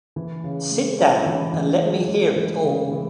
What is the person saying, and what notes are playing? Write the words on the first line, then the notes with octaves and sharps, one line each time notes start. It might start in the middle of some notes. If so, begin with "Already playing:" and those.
Sit down, and let me hear it all.
E3
C#3
G#3
C#4
E3
E3
G#3
G#3
E3
C#3
E3